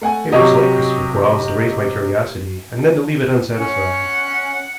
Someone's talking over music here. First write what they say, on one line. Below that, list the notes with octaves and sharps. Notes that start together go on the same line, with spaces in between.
It was like Christopher Quarles to raise my curiosity, and then to leave it unsatisfied.
A3 F#5 G#5
C3 F#3 G4 D#5 C#6
C#4 F#5